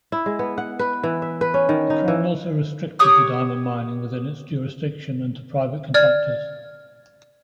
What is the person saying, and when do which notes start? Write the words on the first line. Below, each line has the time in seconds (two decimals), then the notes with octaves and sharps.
The crown also restricted the diamond mining within its jurisdiction and to private contractors.
0.12 E4
0.26 G#3
0.39 B3
0.58 F#5
0.79 B4
1.03 E3
1.22 E5
1.41 B4
1.54 C#4
1.69 D#3
1.90 D#4
2.08 E3
2.99 G4 C#5 D#6 F#6
5.94 D5 F6 G#6